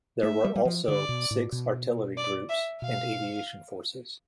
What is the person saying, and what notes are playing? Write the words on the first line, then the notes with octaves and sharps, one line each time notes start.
There were also six artillery groups, and aviation forces.
A3 E5
G3
G3
F3
D3 D5
B2
A2
B2
D5
E5
B2 F5